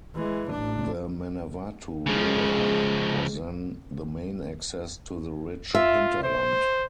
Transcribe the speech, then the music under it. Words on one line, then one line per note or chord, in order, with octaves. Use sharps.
The Manawatu River was then the main access to the rich hinterland.
E3 G#3
A1 D4
C#3 F3 G#3
F4 E5
C5